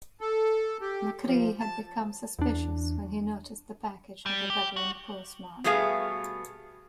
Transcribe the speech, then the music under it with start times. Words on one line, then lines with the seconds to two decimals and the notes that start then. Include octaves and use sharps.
McCrea had become suspicious when he noticed the package had a Dublin postmark.
0.21 A4
0.81 G4
1.26 F3
1.60 A5
2.39 E2 D4
4.26 G3
4.50 G4
4.77 F#4
5.64 B2 G3 A3 B3 G#4 F5